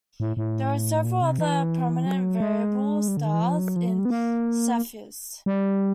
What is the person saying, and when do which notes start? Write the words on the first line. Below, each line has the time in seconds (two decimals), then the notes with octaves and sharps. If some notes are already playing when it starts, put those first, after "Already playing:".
There are several other prominent variable stars in Cepheus.
0.20 A2
0.37 A2
1.05 A#2
1.22 C3
1.39 E3
2.06 F#3
2.40 G#3
3.08 G3
3.17 D3
3.25 D#3
3.34 E3
3.42 F3
3.59 F#3
3.76 F3
3.87 F#3
3.99 G3
4.05 B3
4.10 A#3
5.46 G3